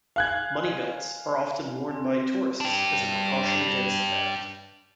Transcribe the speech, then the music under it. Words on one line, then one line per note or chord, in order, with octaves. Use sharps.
Money belts are often worn by tourists as a precaution against theft.
F5 G#5 F#6 G#6
C4
D4 G4